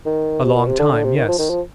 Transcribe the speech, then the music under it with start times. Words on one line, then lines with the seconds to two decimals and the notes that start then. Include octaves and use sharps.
"A long time--yes."
0.06 D#3
0.44 C3
0.56 A#2
0.67 C3
0.79 D3
0.93 D3
1.04 C3
1.16 D#3
1.28 F3
1.39 D#3
1.50 F3